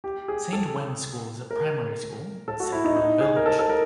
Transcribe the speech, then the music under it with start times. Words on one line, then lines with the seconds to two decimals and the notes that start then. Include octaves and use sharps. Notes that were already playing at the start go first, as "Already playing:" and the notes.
Saint Wenn School is a primary school in Saint Wenn village.
0.04 G4
0.28 G#4
0.53 A4
1.51 A#4
2.48 A4
2.60 F#4
2.72 E4
2.84 D#4
2.97 D#4
3.21 G#4
3.36 A#4
3.46 A4
3.59 A4
3.70 A#4